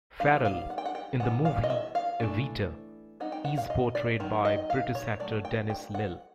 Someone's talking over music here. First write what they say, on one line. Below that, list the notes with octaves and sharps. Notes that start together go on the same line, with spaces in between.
Farrell, in the movie "Evita", is portrayed by British actor Denis Lill.
G3 B3 D#4 F5
F5
F#5
G5
F#5
G5
E3 G3 B3 F#5
F5
D#5
E5
F5
E3 A3 D4
G3 C4 D#4 F#5
G5
F#5
F5
D#5
D5
D#3 F#3
D#5
F5
C#5
F#3 A3 D5
G5
G5
F#5